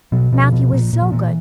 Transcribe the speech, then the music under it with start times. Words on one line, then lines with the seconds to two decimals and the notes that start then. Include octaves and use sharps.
Matthew was so good.
0.12 B2 F#3
0.32 B2 F3
0.53 B2
0.72 A#2
0.93 A#2
1.02 F3
1.12 A#2 E3